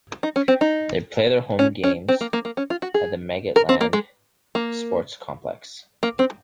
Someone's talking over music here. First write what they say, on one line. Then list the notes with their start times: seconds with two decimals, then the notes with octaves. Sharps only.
They play their home games at the Meggetland Sports Complex.
0.23 D#4
0.36 C#4
0.48 C4
0.61 D#4
1.59 C#4
1.84 C#4
2.08 C4
2.21 A#3
2.33 A#3
2.45 A#3
2.57 C#4
2.70 F4
2.82 F#4
2.94 G#4
3.56 A#4
3.69 C4
3.81 A#3
3.93 G#3
4.55 A#3
6.03 A#3
6.19 C4